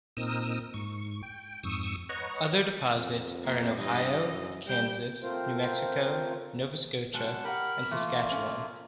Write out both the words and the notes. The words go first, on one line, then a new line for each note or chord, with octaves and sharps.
Other deposits are in Ohio, Kansas, New Mexico, Nova Scotia and Saskatchewan.
A#2 C4 D#4 A#4 D#6 E6
G#2 C#6
G5
F2 G#2 C#6 D#6 E6
B4 C#5 D#5 F#5 A#5 C#6
F2
A#3
G2 E3 D#5
F#2
G3 G5
A3 C4 F4 A#4 C5
B2 F#3 G#3 F#5 A5
G4 A#4 F#5 B5
E3 A3 A#3 F4
C#4